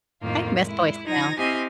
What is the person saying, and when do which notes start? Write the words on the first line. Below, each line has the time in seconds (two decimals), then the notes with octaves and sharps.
I miss voicemail.
0.22 F2 A2 D#3 A#3 F4
0.61 G#3 E4
1.06 F3 D#4 G#6 A#6
1.38 C4 E4 G4 D#5 F5 G#5